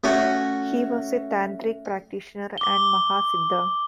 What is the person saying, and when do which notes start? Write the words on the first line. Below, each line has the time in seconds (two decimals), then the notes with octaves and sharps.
He was a tantric practitioner and mahasiddha.
0.04 A3 C#4 F#4
2.58 D6 G7